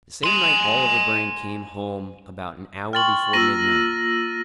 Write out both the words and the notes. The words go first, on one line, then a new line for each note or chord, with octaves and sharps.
The same night Oliver Brand came home about an hour before midnight.
G#5 C6
G5 C6 C#6 F6 A6 F#7
A#3 F4 E6 A#6 D#7 F#7